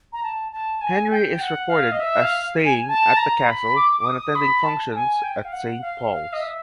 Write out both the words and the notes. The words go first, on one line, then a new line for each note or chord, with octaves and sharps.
Henry is recorded as staying at the castle when attending functions at Saint Paul's.
A#5
A5
A5
G#5
G5
F#5
F5
D#5
E5
F5
G#5
A5
A#5
B5
D6
D6
D#6
B5
A5
G#5
G5
F5
F#5
F5
F5
D#5
E5